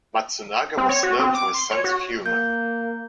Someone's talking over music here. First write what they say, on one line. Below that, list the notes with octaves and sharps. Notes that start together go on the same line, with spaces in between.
Matsunaga was known for his sense of humor.
C4
C#5
F#4
C4
D6
C6
C#5
F#4
A#3 G6